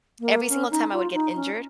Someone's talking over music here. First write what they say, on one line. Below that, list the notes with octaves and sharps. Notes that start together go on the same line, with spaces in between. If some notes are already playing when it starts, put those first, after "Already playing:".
every single time, I would get injured
A#3
C#4
D#4
F4
D#4
C#4